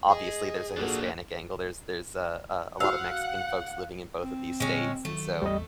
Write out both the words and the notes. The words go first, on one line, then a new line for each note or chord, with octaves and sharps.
obviously, there's a Hispanic angle, there's there's a a a lot of Mexican folks living in both of these states, and, so,
G#4 D#5
A#2 A#3 D4 F#4 A4
F#4 F5 F#5 E6
C4
A#2 D3 G3 G#3 C#4
D#3 F#3 A3
A1 E2 G3 D#5